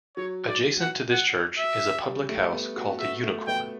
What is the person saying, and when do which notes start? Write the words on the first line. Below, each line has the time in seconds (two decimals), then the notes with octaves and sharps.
Adjacent to this church is a public house called the Unicorn.
0.17 F#3 C#5
0.48 D5
0.80 F#5
1.11 F#5
1.58 E5
2.06 G3
2.29 A3
2.52 B3
2.76 F#4
3.00 F#4 E5
3.23 A3
3.47 B3 G5